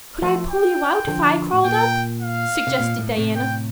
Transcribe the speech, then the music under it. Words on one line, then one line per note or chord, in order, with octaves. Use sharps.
"Could I pull you out if I crawled up?" suggested Diana.
F3 A3
G5
D3 F3
A2
A#2 G5
F5
C3
A#2
A2
A2 C3
G5